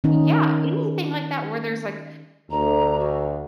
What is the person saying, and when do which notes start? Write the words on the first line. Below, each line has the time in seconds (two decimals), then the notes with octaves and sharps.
yeah, anything like that where there's like,
0.04 D#3 C#4 D#4
2.50 D2 A#5
2.98 F#4